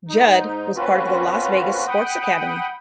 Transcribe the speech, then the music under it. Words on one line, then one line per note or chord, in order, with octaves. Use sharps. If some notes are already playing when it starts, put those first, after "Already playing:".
Judd was part of the Las Vegas Sports Academy.
G#2 D#4
A#3 C4 C#4 F4 F#4 B4
F#5 G5 B5 D#6